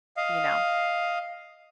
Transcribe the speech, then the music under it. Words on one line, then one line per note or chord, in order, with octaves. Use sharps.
You know?
D#5 F5